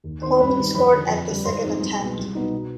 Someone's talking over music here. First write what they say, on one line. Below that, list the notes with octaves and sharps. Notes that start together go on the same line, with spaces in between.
Koeman scored at the second attempt.
D#2
D#3 B3 C5 C6
G2 B4 B5
D#3 G3 C4
F2 B4 B5
D3
F3
F2
D3 G3
G#2 C5 C6
F3 G#3 C4 D#4
C2
B2 G#3 B3
C2
B2 B3 D#4
B2